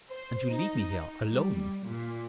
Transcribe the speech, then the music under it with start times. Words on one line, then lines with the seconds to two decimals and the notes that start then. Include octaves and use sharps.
"And you leave me here, alone!"
0.11 C5
0.52 D#4
1.30 G3
1.87 A#2